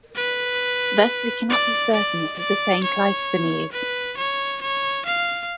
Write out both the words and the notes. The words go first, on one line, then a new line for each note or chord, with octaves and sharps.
Thus we cannot be certain this is the same Cleisthenes.
B4
D5
D5
D5
C#5
B4
C#5
C#5
F5